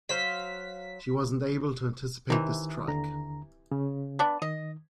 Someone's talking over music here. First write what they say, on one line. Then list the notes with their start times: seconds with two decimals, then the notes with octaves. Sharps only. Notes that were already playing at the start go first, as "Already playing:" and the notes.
She wasn't able to anticipate the strike.
0.09 F#3 C5 F5 B6
2.30 C3 D#3 E3
2.88 D#2 D3 A#5
3.71 C#3
4.19 B3 D4
4.42 D#3 D#5